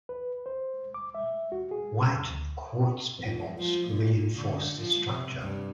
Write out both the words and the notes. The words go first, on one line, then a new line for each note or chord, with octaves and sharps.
White quartz pebbles reinforce the structure.
B4
C5
D6
E5
F#4
G#4
F2
D2
F2
F3
A#2
D3
F3
C3
G2